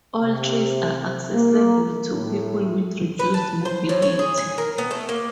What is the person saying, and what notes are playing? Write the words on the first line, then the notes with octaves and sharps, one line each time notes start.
All trails are accessible to people with reduced mobility.
C3
A#3
A2
B4
A5
C5
A2
C#5
G#4
G#5
A#4
B3
A3
A#3